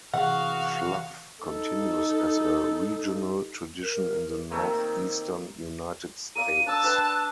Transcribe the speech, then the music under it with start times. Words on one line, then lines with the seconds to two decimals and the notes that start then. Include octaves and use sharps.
"Fluff" continues as a regional tradition in the Northeastern United States.
0.13 C3 E3 F#4 G#4 F5 F#5
1.43 D#4 A4
3.82 A#4
4.51 C3 D#3 A3 A#3
6.35 A#4 D5 F5 D#7
6.66 D4 A5 E6
6.83 D4 B4 G5